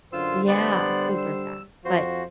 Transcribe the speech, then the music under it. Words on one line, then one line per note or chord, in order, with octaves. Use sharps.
Yeah, super fast. But,
F#2 D3 F4 C5 E6
G3 B3 D5 F#6
E6
F2 F3 F#4 C5